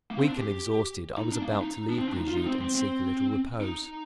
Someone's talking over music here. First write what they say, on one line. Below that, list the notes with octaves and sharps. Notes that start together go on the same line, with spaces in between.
Weak and exhausted I was about to leave Brigitte, and seek a little repose.
A#3
C4
D4
G4
D#4
D4
A#3
D4
D#4
D4
C4
D4
D#4
F4
D#4
C4
C4
C4
D#4